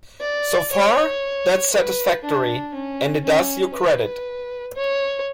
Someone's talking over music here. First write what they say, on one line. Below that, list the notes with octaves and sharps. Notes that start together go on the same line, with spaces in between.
So far that's satisfactory, and it does you credit.
D5
C#5
B4
D4
C#4
C#4
B4
C#5